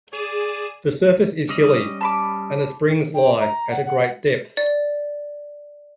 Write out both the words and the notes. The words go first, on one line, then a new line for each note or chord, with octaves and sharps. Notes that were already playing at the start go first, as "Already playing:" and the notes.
The surface is hilly, and the springs lie at a great depth.
G#4 D5 D#7 E7
G3 C#4 D#5
A5 B5 D6
G5
A#5
F#5
F#5
D5